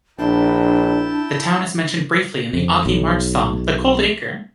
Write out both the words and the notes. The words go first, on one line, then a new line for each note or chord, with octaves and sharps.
The town is mentioned briefly in the Augie March song The Cold Acre.
A#1 D4 E4 G5 A5
F2
B1